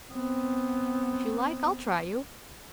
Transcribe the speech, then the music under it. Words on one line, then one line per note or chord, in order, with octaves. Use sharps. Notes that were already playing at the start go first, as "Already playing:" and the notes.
If you like, I'll try you.
B3 C4